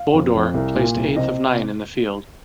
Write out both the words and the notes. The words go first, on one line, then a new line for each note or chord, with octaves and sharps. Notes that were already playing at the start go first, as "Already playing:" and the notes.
Bodor placed eighth of nine in the field.
Already playing: F5
F2
F2
C2
A#2
C2
C3 D#5